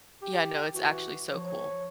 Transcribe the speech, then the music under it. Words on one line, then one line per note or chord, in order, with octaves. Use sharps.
Yeah, no, it's actually so cool,
G4
E3 F#4
F3 C#5